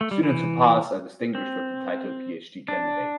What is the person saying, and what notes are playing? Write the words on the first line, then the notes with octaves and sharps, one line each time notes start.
Students who pass are distinguished with the title PhD candidate.
A3
G3
E3
C4
D4